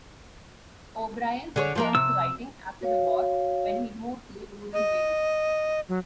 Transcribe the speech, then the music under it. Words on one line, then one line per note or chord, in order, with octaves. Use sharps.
O'Brian returned to writing after the war, when he moved to rural Wales.
D3 G#4 C#5
F3 A#3 A#4
C3 E6
F#4 C#5 F5
D#5
F#3